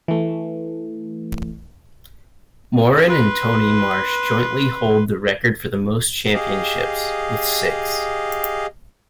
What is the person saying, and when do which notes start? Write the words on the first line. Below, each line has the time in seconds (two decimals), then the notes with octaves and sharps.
Moran and Tony Marsh jointly hold the record for the most championships, with six.
0.08 E3 A3
3.08 B4 C6
6.34 G4 G#4 D#5 F5